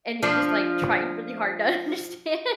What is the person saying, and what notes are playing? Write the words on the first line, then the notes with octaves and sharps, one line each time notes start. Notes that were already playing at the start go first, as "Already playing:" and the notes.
and you're just, like, trying really hard to understand.
F3 D4